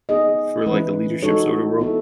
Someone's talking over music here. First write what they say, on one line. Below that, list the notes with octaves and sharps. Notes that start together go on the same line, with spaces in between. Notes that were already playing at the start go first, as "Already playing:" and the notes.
for, like, the leadership sort of role?
B3 D#4 G#4 D#5
E3 G#3 C#4 E4 B4
G#3 D#4 F#4 A4 C#5
B3 E4 A4